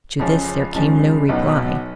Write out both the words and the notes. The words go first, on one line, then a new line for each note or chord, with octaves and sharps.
To this there came no reply.
C#2 C#3 F3 G#3 C#4
C#2 C#3 F3 G#3 C#4
B1 B2 F#3 B3 D#4